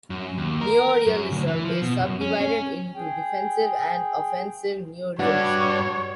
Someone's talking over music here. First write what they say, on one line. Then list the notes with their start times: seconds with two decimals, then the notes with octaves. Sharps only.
Neorealism is subdivided into defensive and offensive neorealism.
0.10 F#2
0.38 D#2
0.61 A#4
1.06 F#2
1.32 D2
1.47 E3
1.65 F3
1.82 B2
2.00 F#2
2.21 C#4
2.41 C#4
2.96 G#4 G5
5.19 G2 G3 D4 F#4 C#5 F#5